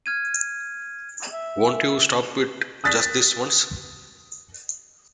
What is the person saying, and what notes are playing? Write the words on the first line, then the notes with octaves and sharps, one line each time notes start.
Won't you stop it just this once?
F6 G#6 D#7
E5
D#6 F#6 A6 B6